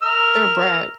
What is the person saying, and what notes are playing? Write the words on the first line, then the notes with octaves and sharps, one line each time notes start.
They're a brat.
A#4 E5 F6